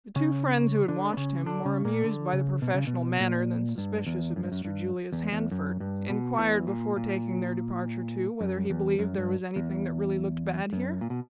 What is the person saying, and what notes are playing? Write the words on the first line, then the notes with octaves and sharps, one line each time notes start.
The two friends who had watched him, more amused by the professional manner than suspicious of Mr Julius Handford, inquired before taking their departure too whether he believed there was anything that really looked bad here?
C#3 C#4
D3 D4
B3
C#3 C#4
D3 D4
C#3 C#4
A#2 A#3
D3
C#3
B2
C#3
B2
A#2
G2
E2
F#2
G2
F#2
G2
E2
E2
F#2
G2
B2
E2 E3
A#2
A#2
F#2
E2
F#2
G2
E2
F#2
A#2
B2